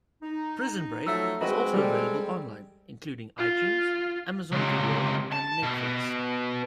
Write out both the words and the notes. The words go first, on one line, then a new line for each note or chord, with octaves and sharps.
"Prison Break" is also available online, including iTunes, Amazon Video, and Netflix.
D#4
F3 F#3 A3 E6
G#3 C4 F#4 B4 D#5
G3 G4 A4
F4
C#2 C3
A5
B2